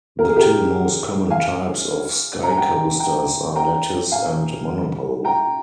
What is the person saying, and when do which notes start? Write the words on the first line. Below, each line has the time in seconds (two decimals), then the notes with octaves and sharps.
The two most common types of Skycoasters are lattice and monopole.
0.19 A#4
0.28 G#4
0.36 G4 A#4
1.30 F5 G#5
2.43 A#5
2.50 G#5
2.57 G5 A#5
3.00 G5 A#5
3.56 G5 A#5
4.11 F5 G#5
5.25 G5 A#5